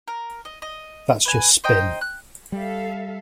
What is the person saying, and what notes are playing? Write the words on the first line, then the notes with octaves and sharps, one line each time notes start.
That's just spin.
A#4
D#5
D#5
B4 G#5
C5 D#5 G5 A#5
F#6
G3 A4 E5 F5